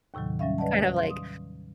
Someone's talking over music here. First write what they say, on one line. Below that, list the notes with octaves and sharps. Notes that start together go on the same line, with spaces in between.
Kind of like,
D#2 A2 C3 D#3 F#3
F#3 G3 C#4 E5 F5
B4 D5 D#5 F#5 A5
F5 C6
D#6